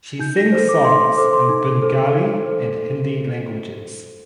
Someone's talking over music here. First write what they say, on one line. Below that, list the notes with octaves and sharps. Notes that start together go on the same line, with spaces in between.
She sings songs in Bengali and Hindi languages.
D#4 G6
A#6
A4 C5
D6
D#4 C6
C6
A4 C5 D6
C6
D#4
A4 C5
D#4
A4 C5